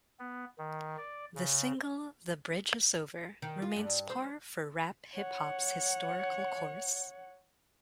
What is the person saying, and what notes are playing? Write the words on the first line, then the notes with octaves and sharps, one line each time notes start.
The single "The Bridge Is Over" remains par for Rap Hip-Hop's historical course.
B3
D#3
D5
C#3
D#3
F4
G2
C5
C#5 F#5